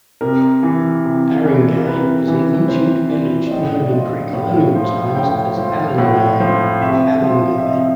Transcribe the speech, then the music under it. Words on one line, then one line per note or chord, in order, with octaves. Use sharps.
Aringay was an ancient village known in pre-colonial times as "Alingay" or "Alinguey".
C3 A#4
E3
C3
E3
A#4
C3 B4
E3
C3 C5
E3 D5
D5
A2 D#5
D5
F3 D#5
A2
F3
A2 G5
F3
A2 F#5
F3
C3 E5
F3
E5
C3 D#5